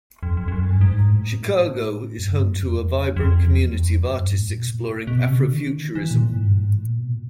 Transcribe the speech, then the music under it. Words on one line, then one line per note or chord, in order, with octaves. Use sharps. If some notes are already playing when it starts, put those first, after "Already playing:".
Chicago is home to a vibrant community of artists exploring Afrofuturism.
F2
F2
F2
F#2
G2
G#2
A2
F#2
G2
F#2
F2
E2
F2
F2
E2
F2
F#2
G2
A2
B2
A#2
B2
C3
C#3
D3
D#3
E3
A#2
G#2
G2
G#2
A2
A#2
B2
A#2